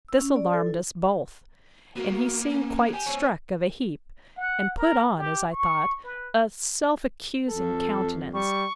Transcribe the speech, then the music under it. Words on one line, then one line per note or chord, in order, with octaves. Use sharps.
This alarmed us both; and he seemed quite struck of a heap, and put on, as I thought, a self-accusing countenance.
E6
C#4
D5
A4
E4
A#3 B3 F#4
C#4
G4 G#5
C4 C#5
F#5
A#4
G4
C#6
B4
F2 A4
G3 C#6